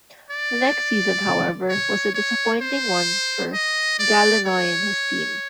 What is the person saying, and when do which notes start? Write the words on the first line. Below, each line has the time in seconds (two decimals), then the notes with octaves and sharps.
The next season however was a disappointing one for Ghalenoi and his team.
0.30 D5
1.69 C#5
2.14 C#5
2.61 C5
3.53 D#5
3.99 D5
4.45 C#5